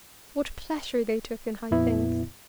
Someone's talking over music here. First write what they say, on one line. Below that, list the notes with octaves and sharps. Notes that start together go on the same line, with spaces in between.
What pleasure they took in high things!
F2 A#2 B3 E4